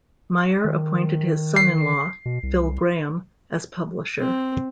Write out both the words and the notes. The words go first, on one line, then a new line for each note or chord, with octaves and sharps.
Meyer appointed his son-in-law, Phil Graham, as publisher.
D#3
C7
B2
C2
C4